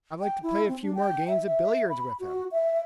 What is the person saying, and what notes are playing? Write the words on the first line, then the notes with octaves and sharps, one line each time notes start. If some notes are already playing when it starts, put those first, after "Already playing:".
I'd like to play a few more games at billiards with him.
G5
E4
C4
D4
G5
E5
E5
B5
F#4
E5